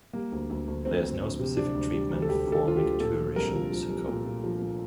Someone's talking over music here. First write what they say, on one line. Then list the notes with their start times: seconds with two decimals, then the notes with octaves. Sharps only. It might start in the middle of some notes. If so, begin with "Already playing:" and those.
There is no specific treatment for micturition syncope.
0.13 G3 A#3
0.32 D2
0.50 D2
0.67 D2
0.85 D2 C4
1.03 D2
1.21 D2
1.39 C3
1.57 C3 D4
1.74 D2
1.93 G3
2.11 D2
2.22 A4
2.28 D2 G4
2.47 D2
2.52 A4
2.65 D2 F4
2.76 G4
2.82 D2
3.00 A#2 A4
3.18 F3
3.36 C2 A#4
3.54 F3
3.72 F3
3.89 C2
4.08 A#2
4.25 A#2
4.44 F3
4.61 A#2